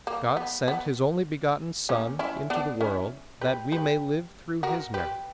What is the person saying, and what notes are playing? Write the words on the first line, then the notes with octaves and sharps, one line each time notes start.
God sent His only-begotten Son into the world that we may live through His merit.
A#3
B3
B3
A#3 C#4
C#4 E4
B3 D4
C#4 E4
G4 B4
G4 B4
F#4 A#4
G4 B4